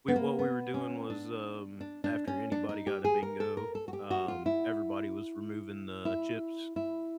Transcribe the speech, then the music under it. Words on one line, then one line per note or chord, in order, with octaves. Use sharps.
we what we were doing was, um, after anybody got a bingo, um, everybody was removing the chips,
B3
A#3
B3
C#4
D4
D4
D4
C#4
D4
D#4
G4
G#4
A#4
A4
A#4
A4
F#4
G4
F#4
F4
E4
E4
E4